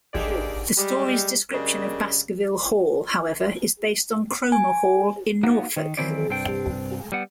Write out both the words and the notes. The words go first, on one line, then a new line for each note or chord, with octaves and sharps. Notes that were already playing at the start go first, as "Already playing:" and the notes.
The story's description of Baskerville Hall, however, is based on Cromer Hall in Norfolk.
D#2 D3 D#4 G4 G#4 D5
G3 G#3
F#2 C#3 G#3 D4 G4 A#4
G#5
A#3 B3 D#4 F#4
D#3
D#3 E3 F#3 C4 E4 D5
C2 G2 C4 D4 G5
G3 B3 F#5